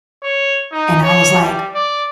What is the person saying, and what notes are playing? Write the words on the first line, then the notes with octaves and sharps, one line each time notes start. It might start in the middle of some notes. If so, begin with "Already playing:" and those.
And I was like,
C#5
D#4
C#5
G3
D5